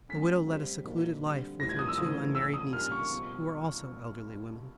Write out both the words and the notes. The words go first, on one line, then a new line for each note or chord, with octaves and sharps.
The widow led a secluded life with her two unmarried nieces, who were also elderly women.
D#3 F#3 A3 C#4 B6
G3 C4 F4
A#2 F3 A#3 D#4 F#4
D3 G3 C4
A2 E3 G3 C4 A#6
G#6
D#6
E6
C#3 E3 A3 C4 E4 D#6
A#2 F3 A3 C#4 E6
D#6
G3 A#3 C#4 F6
C#6
B2 G3 C4 F4